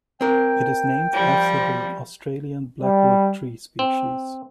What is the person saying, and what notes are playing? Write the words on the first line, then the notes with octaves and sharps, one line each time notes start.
It is named after the Australian Blackwood tree species.
C4 A#4 G5
F3 G3
G3
C4